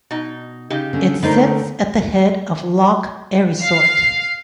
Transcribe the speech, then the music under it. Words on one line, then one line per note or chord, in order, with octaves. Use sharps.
It sits at the head of Loch Erisort.
B2 D#4
C#3 D#4 G4
D3 C#4
D3 A3 B3 D#4 A#4 C5
F5 C7